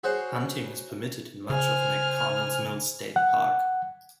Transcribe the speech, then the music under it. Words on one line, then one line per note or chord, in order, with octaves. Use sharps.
Hunting is permitted in much of McConnells Mill State Park.
F#4 G#4 C5 C#5 F#5
C#3 C5 G#5 F6
F#5